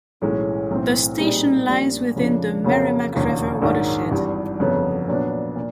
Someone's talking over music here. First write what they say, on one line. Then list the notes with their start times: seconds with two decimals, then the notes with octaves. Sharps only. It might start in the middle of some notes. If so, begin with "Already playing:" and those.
The station lies within the Merrimack River watershed.
0.22 B1 A2 E3 G#3 C#4
0.71 B1 A2 E3 A3 C4
1.19 A#2 G3 C4 D#4 G#4
1.68 A#1 A#2 G3
2.16 F2 C#3 F3 A#3 D4
2.65 F2 C#3 F#3 A#3
3.13 E1 D#2 C#3 F3
3.62 A#1 G#2 D#3 F#3
4.11 G#1 G2 E3 G3
4.59 G1 F2 C#3 F#3 B3
5.08 A#2 F#3 B3 D4
5.56 A#2